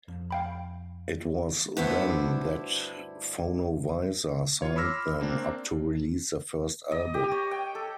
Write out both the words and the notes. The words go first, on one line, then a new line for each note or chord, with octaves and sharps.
It was then that Fonovisa signed them up to release their first album.
F2
F5 G5 B5
D2 G2 B3 D4 E4 C5
F4 C#5
B5 C6 D6 E6 F6 A#6
A#3 C4 D4
D#5
G4
C#5
G5
A4